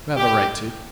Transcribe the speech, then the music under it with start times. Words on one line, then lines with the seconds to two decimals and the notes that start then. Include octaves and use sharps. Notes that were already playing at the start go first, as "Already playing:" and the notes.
You have a right to.
0.17 G4